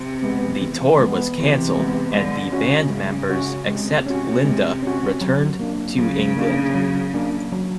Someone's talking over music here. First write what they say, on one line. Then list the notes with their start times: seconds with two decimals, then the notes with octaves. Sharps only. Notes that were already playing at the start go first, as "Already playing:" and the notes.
The tour was cancelled and the band members, except Linda, returned to England.
Already playing: C3
0.23 G#3 B3
0.61 E3
0.99 G#3 B3
1.38 C3 E3
1.75 G#3 B3
2.14 D3 G#3
2.52 C#3 C#4 F#4
2.90 G#3
3.29 C#4 F#4
3.67 C3 G#3
4.06 C#4 F#4
4.45 G#3
4.83 C#4 F#4
5.21 F#3
5.60 A#3 D4
5.98 C#3 F#3
6.37 A#3 D4
6.74 F#3
7.14 A#3 D4
7.52 F#3